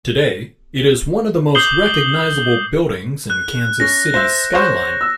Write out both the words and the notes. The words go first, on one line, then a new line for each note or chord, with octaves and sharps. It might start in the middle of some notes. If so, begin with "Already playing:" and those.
Today, it is one of the most recognizable buildings in Kansas City's skyline.
D6 D#6 G6 C7 F#7 G7
F#6
C#4 A#6
C5 E5 A#6
C5 C#5
E6